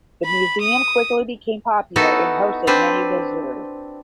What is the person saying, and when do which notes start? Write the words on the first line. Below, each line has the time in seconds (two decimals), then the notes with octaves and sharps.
The museum quickly became popular and hosted many visitors.
0.25 B5
0.61 D#6
1.96 B3 D#4 E4 F#4 A4
2.67 C4 D4 B4 C5